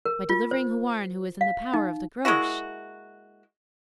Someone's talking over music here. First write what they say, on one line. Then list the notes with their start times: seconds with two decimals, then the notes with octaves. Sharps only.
'By delivering Houarn, who is in the power of the Groac'h.'
0.05 A#4
0.30 F4
0.51 C5
1.41 F5
1.74 D#4
2.25 G#3 A#3 E4 F#4